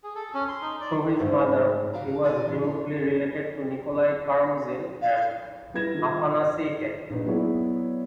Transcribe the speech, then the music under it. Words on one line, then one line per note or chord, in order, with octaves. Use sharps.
Through his mother, he was remotely related to Nikolai Karamzin and Afanasy Fet.
G#4
A4
C#4
C6
D#4
D5
G#2 A3
C#3 F#4 G4 F5 A5 A#5
C#3 D#4 D5 G#5
A#2 E3
C#5
F5
G3 E4 B4 G#6 A#6 E7
D#3 F4 A4
A#1 D#4 B4
F#3 B3 E4 G#4 C#5 D5